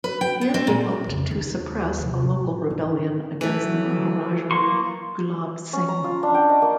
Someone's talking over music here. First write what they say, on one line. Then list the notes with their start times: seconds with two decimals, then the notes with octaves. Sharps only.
Here he helped to suppress a local rebellion against the Maharaja, Gulab Singh.
0.04 B4
0.21 G5
0.41 B3
0.54 C4
0.67 A#2
1.07 F2 C#3
1.31 D#2
1.99 C3 F3
2.22 A2
2.70 G#2
3.41 E3 F#3 A3
4.51 A#3 C6 C#6
5.73 C#4
5.88 A#5
6.04 F4
6.23 D4
6.34 G5
6.49 D#5
6.62 A#3